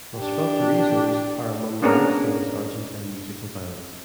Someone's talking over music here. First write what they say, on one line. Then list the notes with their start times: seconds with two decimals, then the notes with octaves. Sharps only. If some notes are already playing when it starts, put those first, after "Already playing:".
Los Fronterizos are among the most famous Argentine musical bands.
0.17 D4 G4
1.82 A#3 B3 C#4 D4 G#4 A#4